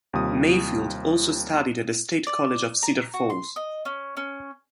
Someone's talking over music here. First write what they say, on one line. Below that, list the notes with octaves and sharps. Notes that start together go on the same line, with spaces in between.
Mayfield also studied at the State College of Cedar Falls.
D#2 C3 G3 F4 D#6
D5
A#5
F#4
C6
D#5
C#4
C#4